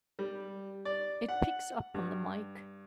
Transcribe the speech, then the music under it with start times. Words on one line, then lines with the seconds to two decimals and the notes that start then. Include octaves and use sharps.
It picks up on the mike!
0.19 G3
0.85 D5
1.29 F#5
1.94 G2